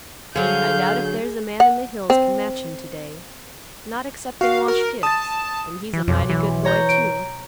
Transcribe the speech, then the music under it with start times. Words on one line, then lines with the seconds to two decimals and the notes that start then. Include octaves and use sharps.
I doubt if there's a man in the hills can match him to-day; not excepting Wash Gibbs; an' he's a mighty good boy, too.
0.36 D3 F#3 G#4 F5 G6
1.60 F#5
2.10 C4
4.41 F#4 F5
4.68 A#4
5.03 A5 D#6 A6
5.93 E3
6.08 B1 F2
6.30 E3
6.65 C#5 A#5 G6
6.89 D7